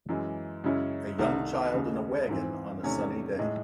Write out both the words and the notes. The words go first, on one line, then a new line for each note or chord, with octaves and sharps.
A young child in a wagon on a sunny day.
F#2 E3 G#3
F#2 C#3 G#3 C#4 E4
C2 C3 D#3 A3
D#2 C#3 G#3
G#2 E3 C4
E2 C3 D#3 A3 C#4
A2 G#3 D#4